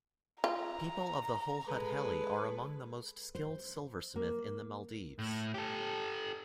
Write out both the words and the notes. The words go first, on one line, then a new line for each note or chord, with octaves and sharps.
People of Hulhudheli are among the most skilled silversmith in the maldives.
F4 A#5
G#3 A4 B4
C5
A#3
A2
G4 A4